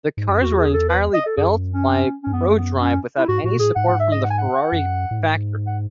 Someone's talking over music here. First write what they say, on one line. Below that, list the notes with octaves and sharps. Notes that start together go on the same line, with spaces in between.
The cars were entirely built by Prodrive without any support from the Ferrari factory.
G#2
F#2
E2 F#4
G#4
A4
B4
D#5
A4
F#2 G#4
C#4
G#2 C#4
F#2 B3
A3
B3
C#4
E4
G#2 F#4
A2 F#4
B2
A2 G#4
G#2 F#5
A2
F#5
G#2
E5
D#5
F#5
G#5
F#5
F#2
A2
G#2
F#5